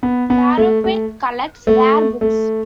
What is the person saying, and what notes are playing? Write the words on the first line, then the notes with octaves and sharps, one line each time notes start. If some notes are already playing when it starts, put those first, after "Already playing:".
Larroquette collects rare books.
B3
B3
A3
A3
A3
A3